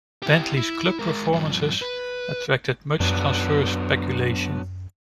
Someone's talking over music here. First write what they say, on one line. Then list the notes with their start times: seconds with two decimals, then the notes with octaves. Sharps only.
Bentley's club performances attracted much transfer speculation.
0.22 E4 G4
0.57 E4
0.99 G#3 A#4
1.33 G2 F3
1.82 B4
3.00 F#2 F#3 B3 D4